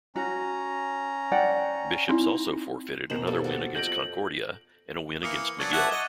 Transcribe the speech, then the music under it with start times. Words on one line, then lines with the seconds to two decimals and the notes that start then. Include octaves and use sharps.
Bishop's also forfeited another win against Concordia and a win against McGill.
0.16 C#4 F#4 A#5
1.32 D5 F#5 G5
2.09 C4 D#4 E4
3.10 B2 D#3 C5 A#5 F#7
3.27 G2 A#3 A4
3.44 F#4 A4 D5
3.75 F2 G6 A#6 D7 F#7
5.23 E3 A#3 D#6 C#7 F7
5.59 F#3 D4 C#6 G#6 A6
5.72 E5 F#5 A5 C#6 D6 G#6
5.91 D#5 D#7 G7